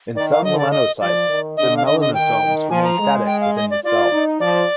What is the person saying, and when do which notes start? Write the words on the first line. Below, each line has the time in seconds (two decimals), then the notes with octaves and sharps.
In some melanocytes, the melanosomes remain static within the cell.
0.16 D#3 D5
0.31 F5
0.44 D3 D#5
0.58 D5
0.71 D#5
1.00 F3 D5
1.29 D#3
1.57 D3 D#5
1.77 F5
1.86 D3 D#5
2.00 D#5
2.14 D#3 G5
2.42 D#3
2.70 F3 G#5
2.84 A#5
2.99 G#3
3.27 G5
3.41 F5
3.55 D#5
3.70 D5
3.84 F4 D5
4.11 D#4
4.40 F3 D5